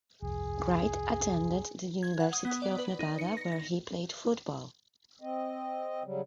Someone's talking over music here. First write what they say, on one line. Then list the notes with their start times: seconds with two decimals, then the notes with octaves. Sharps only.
Wright attended the University of Nevada where he played football.
0.22 G1 C2 F2 G#4
2.03 G#6
2.20 F#5
2.33 D#6
2.45 B3
2.62 D5
2.78 B4
2.99 D#4
3.19 C#7
3.37 A#6
3.52 A#6
5.22 C4 D#5
6.04 C#3 F#3 G3